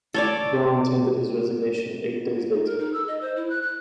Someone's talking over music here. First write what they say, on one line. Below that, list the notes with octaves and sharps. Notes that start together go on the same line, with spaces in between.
Brown tendered his resignation eight days later.
A4 C#5 D5
D#4
A#4
D#4
E6
D#5
C5
E4
F#6
F#6